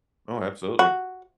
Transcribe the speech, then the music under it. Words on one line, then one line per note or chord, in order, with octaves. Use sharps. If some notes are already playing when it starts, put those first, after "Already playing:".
Oh, absolutely.
F#4